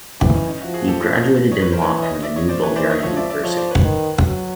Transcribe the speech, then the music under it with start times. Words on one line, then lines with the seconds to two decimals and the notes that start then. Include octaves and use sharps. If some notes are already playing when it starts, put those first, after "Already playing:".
He graduated in law from the New Bulgarian University.
0.20 E3 C4 D4
0.29 E4
0.34 C#4 D#4
0.47 C#4 D#4
0.61 F3 E4 F#4
0.74 F#4 G#4
0.88 G4 A4
1.01 C5 D5
1.15 C#5 D#5
1.52 C#5 D#5
1.62 B4 C#5
1.72 A#4 C5
1.82 E3 B4 C#5
2.02 C#5 D#5
2.22 D5 E5
2.36 C#5 D#5
2.49 C5 D5
2.63 E3 B4 C#5
2.76 C5 D5
2.84 E5
2.90 C#5 D#5
2.99 E5
3.03 F3 C#5 D#5
3.17 D5 E5
3.30 D5 E5
3.44 F3 C#5 D#5
3.57 C5 D5
3.70 B4 C#5
3.83 D#3
4.25 F#3